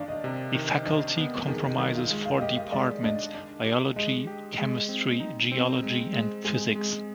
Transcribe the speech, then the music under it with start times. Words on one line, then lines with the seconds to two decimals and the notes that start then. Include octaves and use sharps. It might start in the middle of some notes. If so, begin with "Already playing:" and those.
The faculty comprises four departments: Biology, Chemistry, Geology, and Physics.
Already playing: D#3 D4 D5 F5
0.08 D#5
0.24 C3
0.55 D#3
0.86 D4 D#5
1.17 B3
1.48 D#3 G#4
1.64 G4
1.78 D#3
1.94 F4
2.10 G#3
2.25 F5
2.41 G4 D#5
2.56 F5
2.72 G#3 D5
3.03 D4 D#5
3.34 D4
3.65 G4
3.96 G#3 D#5
4.27 G4
4.58 G#3
4.89 C4
5.20 D#4
5.52 C4
5.83 G#3
6.14 G#3
6.44 G#3 G#4
6.75 G#3